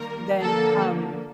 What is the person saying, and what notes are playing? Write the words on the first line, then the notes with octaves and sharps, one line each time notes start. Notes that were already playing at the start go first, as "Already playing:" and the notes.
then, um,
Already playing: D#3 G3 A#3 A#4
D3 F3 A#3 A4